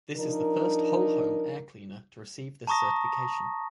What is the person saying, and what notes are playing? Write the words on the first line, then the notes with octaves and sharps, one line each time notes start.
This is the first whole home air cleaner to receive this certification.
F3 D4 D#4 A#4
A5 A#5 C#6 D#6 A#6